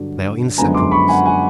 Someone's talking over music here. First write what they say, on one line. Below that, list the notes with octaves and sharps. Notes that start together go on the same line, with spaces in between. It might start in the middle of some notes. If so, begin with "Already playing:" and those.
They are inseparables.
Already playing: G2 D3 F#3
F#2 D3 F3 G#3 B3 G#5 A#5
C6 D6
B5 C#6
F#5 G#5
F#5 G#5